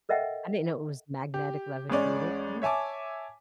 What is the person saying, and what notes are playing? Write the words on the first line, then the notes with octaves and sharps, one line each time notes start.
I didn't know it was magnetic levitated, mm.
A4 A#4 D#5 E5 F#5 G5
G4
A1 G#3 C#4 D5
C#5 E5 G#5 A5 D6